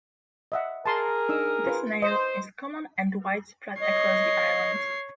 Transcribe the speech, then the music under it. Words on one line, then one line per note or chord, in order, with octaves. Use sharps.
The snail is common and widespread across the island.
D#5 E5 F#5
G#4 A#4 A5 C6
D4 D#4 E6
F4 B4
C5 D#5
C#5 D#5 C7